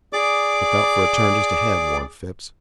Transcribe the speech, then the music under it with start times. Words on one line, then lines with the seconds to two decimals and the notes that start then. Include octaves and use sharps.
"Look out for a turn just ahead," warned Phipps.
0.13 G#4 D5 D6